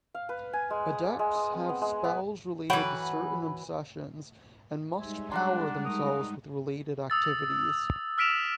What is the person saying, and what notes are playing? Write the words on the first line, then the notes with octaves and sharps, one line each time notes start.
Adepts have spells related to certain obsessions, and must power themselves with related activities.
F5
B4
G#5
G#3
D#6
D5
G#3
D#6
C4
B3
G#3
B3
E3 F#3 F#4 B4 G5
G3 G#3 D#4 C5 E5 G#5
D4 F#5 A#5 C6
A3 A#4 D#6
D#6 E6 A6
E6 F6 B6 D7 E7 F7